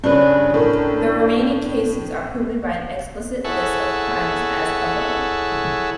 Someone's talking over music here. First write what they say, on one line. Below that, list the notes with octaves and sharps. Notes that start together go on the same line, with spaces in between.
The remaining cases are proven by an explicit list of primes, as above.
G2 C#3 C#4 D4 B4
A2 A4 A#4
E4 G#4 A4 C#5 F#5